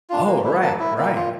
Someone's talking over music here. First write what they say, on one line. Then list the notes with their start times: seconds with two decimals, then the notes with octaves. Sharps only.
Oh, right, right.
0.10 D4 F4
0.27 A#3
0.44 E4
0.62 A#3 A5
0.80 E4
0.98 A#3
1.15 F4